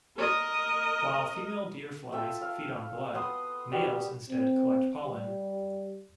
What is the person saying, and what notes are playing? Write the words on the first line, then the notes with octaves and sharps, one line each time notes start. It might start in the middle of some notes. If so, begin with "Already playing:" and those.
While female deer flies feed on blood, males instead collect pollen.
A#4 D#5
F4 A4 E5 G5
F5
B3 F#5 C6 D#6
G3 F#4
C4
G3